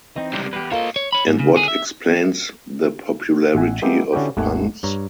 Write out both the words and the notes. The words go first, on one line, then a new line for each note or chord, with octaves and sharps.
And what explains the popularity of puns?
E3 C4 D#4 D#5
C#2 C3 G3 D5
E2 G4 B4
A#3 F4 A4 A#4 C5 C#5 D#5 F5
C#5
C#5 B5
G#2
C#3
D3 G#4
E5
A1 E5 F#5 G#5
G#3 A#3 B3 E4 G4
D3 C#4 E4 F#4 G4
G#1 D#2 A3 F#5 G#5
G2 C#5 A#5